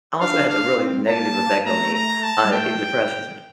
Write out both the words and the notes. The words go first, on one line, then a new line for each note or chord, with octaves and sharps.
also has a really negative effect on me, uh, it depresses me.
D4 F5
F5
C4
A#3 A5
A3 A#5
A#5
A5
G3
A3 G5